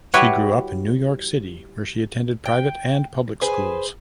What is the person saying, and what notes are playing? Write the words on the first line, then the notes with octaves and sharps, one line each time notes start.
She grew up in New York City where she attended private and public schools.
G3 E4 F#4 B4 C#5
G5
G#4 B4 C5 G#5